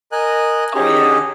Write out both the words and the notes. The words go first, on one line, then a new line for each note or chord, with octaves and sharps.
Oh, yeah.
A#4 D#5 G#5 F#6
C#4 D#4 G4 G#4